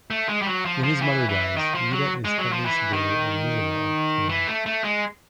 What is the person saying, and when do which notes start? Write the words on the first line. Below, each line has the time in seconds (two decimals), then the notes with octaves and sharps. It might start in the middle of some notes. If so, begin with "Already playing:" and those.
When her mother dies, Rita is heavily sedated and miserable at the funeral.
0.11 A3
0.29 G#3
0.42 G3
0.47 F#3
0.65 F3
0.83 F3
1.02 E3
1.29 E3
1.57 D#3
1.74 F3
1.93 F#3
2.25 G#3
2.38 F#3
2.52 F3
2.65 E3
2.93 D#3
4.29 E3
4.47 A3
4.66 A3
4.84 G#3